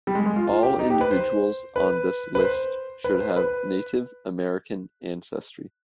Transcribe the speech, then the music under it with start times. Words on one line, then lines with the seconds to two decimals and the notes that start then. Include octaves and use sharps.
All individuals on this list should have Native American ancestry.
0.07 G3
0.15 G#3
0.26 G#3
0.36 F4
0.47 F4
0.63 G4
0.79 D#4
0.90 G4
1.01 B4
1.11 C5
1.76 B4
2.35 B4
2.40 C5
3.04 B4
3.15 B4
3.20 C5
3.36 B4